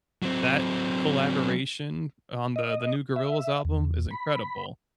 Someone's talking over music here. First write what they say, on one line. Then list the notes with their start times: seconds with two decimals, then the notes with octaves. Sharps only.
that collaboration on the the new Gorillaz album is incredible.
0.22 F#3 C4
2.56 D#5
3.16 E5
3.65 E2
4.11 B5